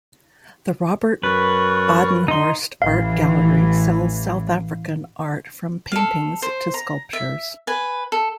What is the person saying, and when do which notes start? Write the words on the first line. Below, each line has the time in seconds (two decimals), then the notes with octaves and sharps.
The Robert Badenhorst Art Gallery sells South African art from paintings to sculptures.
1.23 F#2 B4 C#6
2.28 D#4 C6
2.82 A1 E3 F5
5.92 A4 F5
6.42 C5
6.74 A#5
7.13 E5
7.67 B4 G#5
8.12 A4